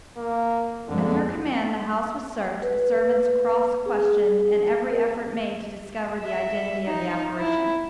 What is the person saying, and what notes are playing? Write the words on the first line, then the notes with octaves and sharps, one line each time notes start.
At her command the house was searched, the servants cross-questioned, and every effort made to discover the identity of the apparition.
A#3
F2 D3 G#3
B4
G#4
A#4
E5
D#4
E4